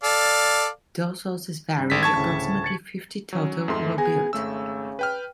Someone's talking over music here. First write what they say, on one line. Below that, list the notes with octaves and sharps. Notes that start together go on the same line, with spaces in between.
Though sources vary, approximately fifty total were built.
A4 D5 F5
G2
G#1 B6
A5 C#6 G#6
D2 A2 C#3
A6 C#7 F#7
F#3 C#4
F2 G#2 A3 C6
B3 G#4 G#5 A#6
G#1 C#3 A3 E6
B4 G5 F6